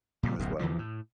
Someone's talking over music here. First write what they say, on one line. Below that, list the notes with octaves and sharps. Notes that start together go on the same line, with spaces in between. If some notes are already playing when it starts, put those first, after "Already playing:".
You as well.
A#2 C#3 F#3 G3
D1 B1 F#2 B2
E2 D3 E3 F3
A2